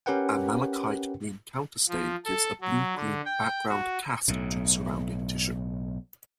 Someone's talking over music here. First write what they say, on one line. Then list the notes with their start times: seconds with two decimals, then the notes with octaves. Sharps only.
A malachite green counterstain gives a blue-green background cast to the surrounding tissue.
0.06 C#4 G4 A#4 B4 F#5 G5
1.89 F3
2.25 A4
2.61 F#3
2.96 D3
3.25 G5
3.69 F#4
4.28 B1 A2